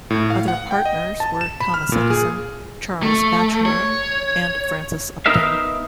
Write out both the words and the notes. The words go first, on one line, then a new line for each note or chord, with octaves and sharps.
Other partners were Thomas Edison, Charles Batchelor, and Francis Upton.
A2
F5
F#5
G5
D#5
A5
E7
B5
F6
A#2
G#4
A3
C#5
B3 D#4 A#4 E5 F5